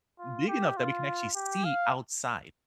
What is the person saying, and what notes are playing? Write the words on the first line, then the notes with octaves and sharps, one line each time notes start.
big enough that we can actually see outside.
F4
G4
F4
G4
F5